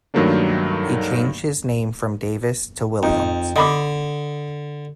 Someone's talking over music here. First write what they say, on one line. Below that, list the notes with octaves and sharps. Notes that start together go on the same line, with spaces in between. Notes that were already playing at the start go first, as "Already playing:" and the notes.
He changed his name from Davis to Williams.
G2 D#3 F#3 A3 A#3 D4
F2 D#4
D3 D#5 B5 D6